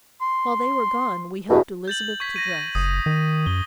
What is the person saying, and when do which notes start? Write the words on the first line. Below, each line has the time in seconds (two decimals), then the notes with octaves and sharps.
While they were gone we helped Elizabeth to dress.
0.21 C6
1.50 E2 G2 B2
1.88 G6 A6 F#7
2.20 C#6 G#6 B6
2.36 A#6 D#7
2.75 F#1 D#6
3.06 D#3
3.46 F#2 G7